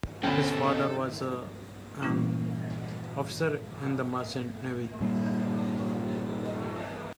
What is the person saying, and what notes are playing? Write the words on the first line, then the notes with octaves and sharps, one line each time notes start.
His father was an officer in the Merchant Navy.
D2 B2 C4 C#4 A4 G5 B5
A#2 E3 G3 A#3 C#4 E4
A#2 G3 A#3